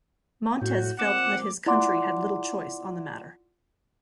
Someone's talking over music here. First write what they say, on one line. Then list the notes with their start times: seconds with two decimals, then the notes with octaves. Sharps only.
Montes felt that his country had little choice on the matter.
0.61 A2 F#4 G6
0.99 A#2 F3 C4 F#5 D6 E7
1.66 E4 F4 D5 F#5 C6 D6